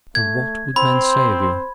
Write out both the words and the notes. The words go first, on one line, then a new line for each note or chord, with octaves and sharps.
"And what would men say of you?"
A3 G#6
C4 C5 B5